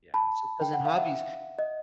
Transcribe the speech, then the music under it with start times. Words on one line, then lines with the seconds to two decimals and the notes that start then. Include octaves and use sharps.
Yeah, so 'cause in hobbies,
0.14 A5 B5
0.62 G5
0.73 F#5
0.85 F5
0.97 E5 F#5
1.59 D#5